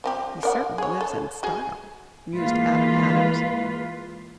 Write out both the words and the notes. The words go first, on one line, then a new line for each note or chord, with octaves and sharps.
"He certainly lives in style," mused Adam Adams.
F3 C4 G4
A#4 D5 F#5
G#4 C#5
A4
F#4 G#4
E3 G#3 A#3 F4 B4 F5